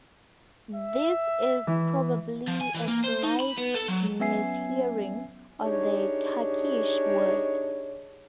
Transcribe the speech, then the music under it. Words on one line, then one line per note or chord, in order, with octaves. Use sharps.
This is probably a slight mishearing of the Turkish word.
E5
E3
F3
G#5
E3
A#3
C5
D#4
B5
B3
A4
F#3
F#3 B3 C#4 E5 G#5 C7
D4 D#4 G4 G#4 C#5